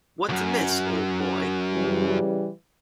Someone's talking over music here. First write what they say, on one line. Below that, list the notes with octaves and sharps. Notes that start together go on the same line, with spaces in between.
What's amiss, old boy?
C#2 F#2
C#3 E3 G3